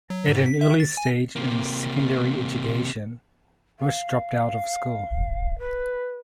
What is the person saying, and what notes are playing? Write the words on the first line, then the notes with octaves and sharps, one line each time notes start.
At an early stage in secondary education, Bush dropped out of school.
F#3
G#2
B6
E5
A6
G#5
C3 A#3
F5
B4